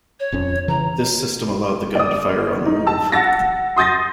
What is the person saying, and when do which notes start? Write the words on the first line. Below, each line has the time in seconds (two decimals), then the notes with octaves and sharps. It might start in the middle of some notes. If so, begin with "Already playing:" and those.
This system allowed the gun to fire on the move.
0.20 C#5
0.32 D#1 F2 C#4
0.68 C#3 E3 A#5
1.95 D5 D#6
2.66 D#4
2.87 A5 E6
3.12 F#5 E6 A6 A#6
3.77 C6 D#6 G6 A6 A#6